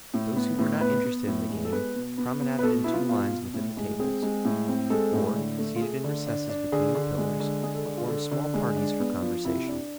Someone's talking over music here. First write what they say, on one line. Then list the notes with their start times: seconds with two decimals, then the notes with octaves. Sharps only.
Those who were not interested in the game promenaded in two lines within the tables; or, seated in recesses between the pillars, formed small parties for conversation.
0.14 A2
0.36 B3
0.59 A2
0.81 B3 B4
1.04 B3
1.27 A2
1.50 G#3
1.65 A4
1.72 B3 B4
1.95 B2
2.18 B3
2.41 B3
2.59 B4
2.63 B2 A4
2.84 B3 E4
2.93 F4
3.08 B2 F4
3.31 B2
3.54 A2
3.77 G#3
3.99 C4 G#4
4.23 G#3
4.45 A2
4.68 C4
4.90 G#3 A4
5.13 A2
5.36 D3
5.59 A3
5.76 F4
5.81 A3 G#4
6.04 D3
6.27 D4
6.49 D4
6.72 D3 G#4
6.95 D3
7.18 G#3
7.40 D3
7.63 G#3 G#4
7.74 A4
7.85 D3
7.97 F4
8.08 D3 A4
8.31 D3
8.54 G#3
8.77 D4
8.99 B3
9.22 F3
9.45 C3 E4
9.68 D4